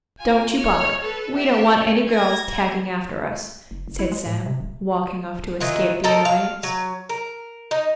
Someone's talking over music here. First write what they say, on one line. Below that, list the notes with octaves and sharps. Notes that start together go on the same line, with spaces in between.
"Don't you bother; we don't want any girls tagging after us," said Sam, walking off to escape the annoyance.
F4 G#5
C#5 F6
A4 B4
G4 E5
C#4
G#6 A#6
F#1
F#1
E4
G#3
A2
C3
D#1
D#3 E3 F4
A4 A#4 C5 D#5
F5
F#3
A#4
D#4